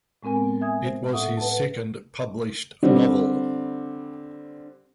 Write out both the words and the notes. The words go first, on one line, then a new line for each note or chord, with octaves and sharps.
It was his second published novel.
A2 G#3 C4 A#4 G#5
B3
E5 G#5 D#6 G#6
C5
A2 E5 F#5 D#6
B4 F#5 A5
D3 G3 C4